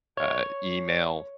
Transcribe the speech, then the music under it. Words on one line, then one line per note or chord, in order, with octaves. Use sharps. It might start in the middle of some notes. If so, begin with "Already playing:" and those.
uh, email,
C#5